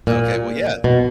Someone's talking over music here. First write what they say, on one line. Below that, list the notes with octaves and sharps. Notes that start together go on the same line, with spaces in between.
Okay, well, yeah,
A#2
B2